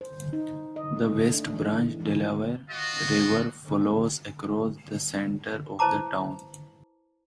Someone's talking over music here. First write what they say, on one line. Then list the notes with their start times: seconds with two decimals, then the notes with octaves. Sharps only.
The West Branch Delaware River flows across the center of the town.
0.01 C5
0.33 D#4
0.76 D#5
0.97 A3
1.34 D4
1.52 E3
1.67 G#3
2.00 E3
2.70 F4 F#4 D#5
5.79 E4 B4 C5 A5 A#5 D6